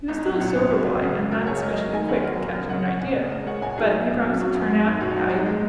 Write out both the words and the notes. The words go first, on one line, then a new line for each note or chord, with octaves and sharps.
He was still a sober boy, and not specially quick in catching an idea, but he promised to turn out a valuable man.
G#1 D#4
F#3
A#1
A#1
C#2 F#4
F#3
C#3
F#1
C#2 F#4 A#4
C#2 G#4 C#5
F#3 A#4 D#5
F#3 A#4 D#5
D#3 D#5 G#5
D#2 C#5 F#5
F#3 A#4 D#5
A#1
C#3 A#4 D#5
C#3 C#5 F#5
A#1 C#5 F#5
A#1
C#3
G#3 A#4 D#5
G#3 C#5 F#5
A#1 D#5 G#5
F#3 D#4 G#4
A#1
A#1
F#3
F#3 F#4
F#2
G#3
G#2
A#1 F#4
D#4
F#3
G#1 D#4
G#3